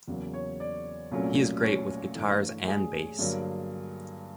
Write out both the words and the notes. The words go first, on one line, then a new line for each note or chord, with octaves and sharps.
He is great with guitars and bass.
E2 C#3 F#3 A#3
C#5
D5
C2 A#2 F#3 A3 C#4
C#5
G2 E3 A3
G#4
G2 D3 F#3 A#3